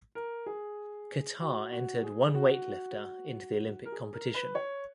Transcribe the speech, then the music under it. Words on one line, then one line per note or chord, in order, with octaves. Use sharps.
Qatar entered one weightlifter into the Olympic competition.
A#4
G#4
F#4
F#4
G#4
F#4
A#4
G#4
A#4
B4
C#5